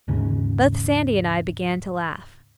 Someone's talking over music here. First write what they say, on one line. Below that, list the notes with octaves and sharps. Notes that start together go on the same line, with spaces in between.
Both Sandy and I began to laugh.
D#2 G#2 C#3